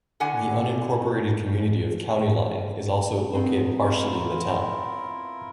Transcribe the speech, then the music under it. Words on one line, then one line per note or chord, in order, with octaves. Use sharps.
The unincorporated community of County Line is also located partially in the town.
A2 D3 F#5 G#5
B3 C4 A#5 C6
E4 F4 A#4